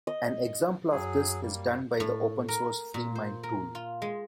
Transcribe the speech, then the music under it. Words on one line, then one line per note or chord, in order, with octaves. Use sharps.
An example of this is done by the Open Source FreeMind tool.
D#5
F#2 F#3 G#4
G3 A#3
A2
A#4
A#2
C5
A#4
F4
G#3